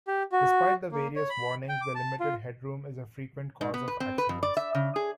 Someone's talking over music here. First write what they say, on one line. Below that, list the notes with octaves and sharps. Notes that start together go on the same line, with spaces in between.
Despite the various warnings, the limited headroom is a frequent cause of accidents.
G4
F#4
A#3
C#5
B5
G5
D6
A5
F4
G#2
B3
B4
C4
B4
F2
D5
E5
C#3
G#4